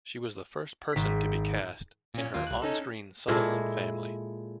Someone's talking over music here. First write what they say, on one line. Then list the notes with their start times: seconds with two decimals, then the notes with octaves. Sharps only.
She was the first person to be cast in her on screen "Sutherland" family.
0.92 G#1 B6
2.14 A#2 C#4
2.34 D#2 A#3 F4
2.47 C2 F#6
2.62 C#4 D#4 A4
3.28 A#2 G#3 E4 A4